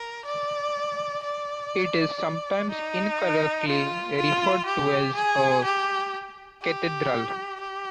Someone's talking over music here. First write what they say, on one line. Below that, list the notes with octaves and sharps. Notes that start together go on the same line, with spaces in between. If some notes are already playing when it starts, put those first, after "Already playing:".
It is sometimes incorrectly referred to as a cathedral.
Already playing: A#4
D5
D5
D#4
F4
F4
G4
G#4
G4
G4
G4